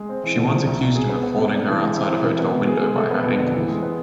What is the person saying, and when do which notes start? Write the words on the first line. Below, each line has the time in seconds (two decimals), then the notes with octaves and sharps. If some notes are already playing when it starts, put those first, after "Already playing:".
She once accused him of holding her outside a hotel window by her ankles.
Already playing: G#3
0.09 C4
0.24 E3
0.38 D3
0.52 F3
0.67 C2
0.81 B2
0.96 G#4
1.09 B3
1.23 B3
1.38 C3
1.52 D4
1.67 E3
1.82 G#3
1.96 C3
2.10 E4
2.24 E3
2.39 B3
2.53 B2
2.67 G#4
2.82 G#3
2.96 A4
3.11 B3
3.24 F2
3.40 D3
3.53 E3
3.68 G#3
3.83 B3